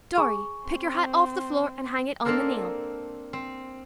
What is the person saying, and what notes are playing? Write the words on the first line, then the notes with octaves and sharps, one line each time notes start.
Dorry, pick your hat off the floor and hang it on the nail!
G#4 G#5 C#6
C4 C6
A#3 C4 D4 A4 A#4 C5
C4